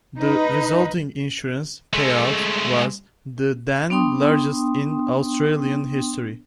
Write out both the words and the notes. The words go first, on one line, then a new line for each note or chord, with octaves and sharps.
The resulting insurance payout was the then largest in Australian history.
D#4 B4
G#3 A3
B3 D4 G5 C6 D#6